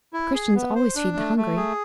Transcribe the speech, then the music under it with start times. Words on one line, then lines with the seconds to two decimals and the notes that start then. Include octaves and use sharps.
Christians always feed the hungry.
0.13 E4
0.34 G#4
0.55 B3
0.75 C5
0.96 D4
1.17 A3
1.37 A3
1.57 G#4